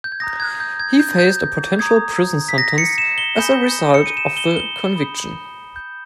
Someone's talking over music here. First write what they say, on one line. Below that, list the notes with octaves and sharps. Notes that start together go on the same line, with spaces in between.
He faced a potential prison sentence as a result of the conviction.
G6
G#6
A#5 D#6 G6 A#6
G#6
G6
G#6
G6
G6
A#5 D#6 G6 G#6
B6
A#6
C#7
E7
G7
G#5 B5 D#6 G6
C#7
D#7
E7
G7
G7
B5 D#6 G6
G6